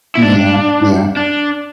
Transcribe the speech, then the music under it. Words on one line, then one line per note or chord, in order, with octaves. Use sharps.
Yeah, yeah.
E4
D4
D4